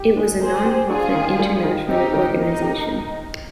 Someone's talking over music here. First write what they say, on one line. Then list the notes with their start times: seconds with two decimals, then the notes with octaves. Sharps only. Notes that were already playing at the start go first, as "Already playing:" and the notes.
It was a non-profit international organization.
Already playing: G4
0.17 G#3
0.40 A#3 G#4 C5
0.65 G4
0.90 D4 F4 G#4
1.15 D#3
1.39 G3
1.64 D#3
1.88 C4 D#4 G4
2.13 D#3
2.38 A#3 D#4
2.62 G4